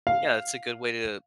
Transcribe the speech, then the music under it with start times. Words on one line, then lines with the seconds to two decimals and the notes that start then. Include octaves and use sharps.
yeah, that's a good way to
0.07 F5